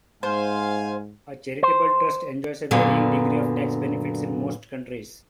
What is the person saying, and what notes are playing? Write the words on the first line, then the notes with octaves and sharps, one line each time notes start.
A charitable trust enjoys a varying degree of tax benefits in most countries.
G#2 C5 F5 G#5
C5
F#2 A#2 D3 F#3 B3